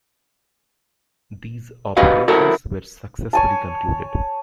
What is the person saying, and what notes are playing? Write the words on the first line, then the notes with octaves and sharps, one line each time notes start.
These operations were successfully concluded.
F#4 G4 B4 D#5 F5
E4 F#4 A4 A#4
C#5 G#5 A5